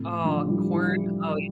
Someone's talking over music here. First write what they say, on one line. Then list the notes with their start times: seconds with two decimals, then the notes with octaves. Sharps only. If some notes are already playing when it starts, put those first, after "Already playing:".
oh, corn? Oh
Already playing: A2 C3
0.24 D3 F3
0.48 E3 G3
0.71 E3 G3